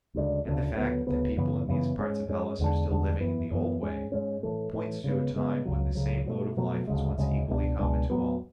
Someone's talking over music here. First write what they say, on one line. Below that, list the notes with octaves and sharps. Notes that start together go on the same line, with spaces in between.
And the fact that the people in these parts of Hellas are still living in the old way points to a time when the same mode of life was once equally common to all.
D2 C#3 G#3 D4
D2 C#3 G#3 D4
D2 C#3 F#3 B3
D2 C#3 F#3 B3
F#2 C#3 E3 B3
F#2 C#3 E3 B3
G#2 G#3 C#4
G#2 G#3 C#4
E2 D3 G#3 D4
E2 D3 G#3 D4
F#2 E3 B3
F#2 E3 B3
G#2 G#3 C#4
G#2 G#3 C#4
A2 E3 A3
A2 E3 A3
C#3 G#3 B3
C#3 G#3 B3
C#2 C#3 F#3
C#2 C#3 F#3
B2 F#3 A3
B2 F#3 A3
D2 C#3 G#3
D2 C#3 G#3
C#2 B2 G#3 D4
C#2 B2 G#3 D4
A2 F#3 B3